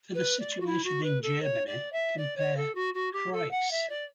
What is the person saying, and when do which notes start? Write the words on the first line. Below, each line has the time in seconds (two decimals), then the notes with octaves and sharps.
For the situation in Germany compare "Kreise".
0.14 B4
0.39 D5
0.60 F#4
0.66 E4
0.84 F#4
1.03 B4
1.22 A4
1.42 C#5
1.66 D5
1.92 E5
2.17 D5
2.37 C#5
2.56 A4
2.75 F#4
2.94 F#4
3.12 G4
3.32 A4
3.51 F#5
3.71 E5
3.89 D5